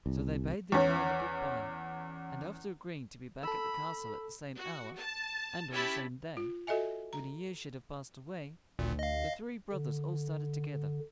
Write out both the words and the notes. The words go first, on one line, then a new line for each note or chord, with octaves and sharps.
So they bade their father good-bye, and after agreeing to be back at the castle at the same hour, and on the same day, when a year should have passed away, the three brothers all started together.
C2
E2 C#4
A4 B5 E6
F#4
A5
C#4 E4 G4 E5 A5 B5
F4
F#4 A4 D#5 E5 G#5
A#5
G#1 D2 A#2
D#5 F5
D3